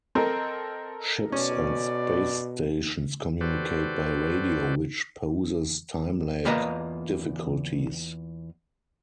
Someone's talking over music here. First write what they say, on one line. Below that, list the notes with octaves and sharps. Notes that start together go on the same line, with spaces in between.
Ships and space stations communicate by radio, which poses time-lag difficulties.
C4 A4 A#4 D#5
B2 C#4 D5
F#4 G4 A4 B4 C5 D5
E2 A#3 F4 B4 D#5 A#5